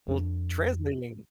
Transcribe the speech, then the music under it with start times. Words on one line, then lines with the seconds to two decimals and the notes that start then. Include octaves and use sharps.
Well, translating
0.08 F2 D4